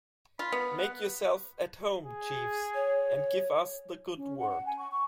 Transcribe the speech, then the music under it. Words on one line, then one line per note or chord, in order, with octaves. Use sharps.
Make yourself at home, Jeeves, and give us the good word.
F4 B5
B3
F#5
G#4
C#5
C#4
F#5
F#5
G#5
C#6
C#6